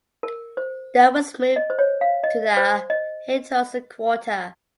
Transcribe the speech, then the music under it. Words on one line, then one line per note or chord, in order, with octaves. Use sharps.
The was moved to the Haidhausen quarter.
A#4
C5
D#5
C5
C#5
F5
D#5
C5
D#5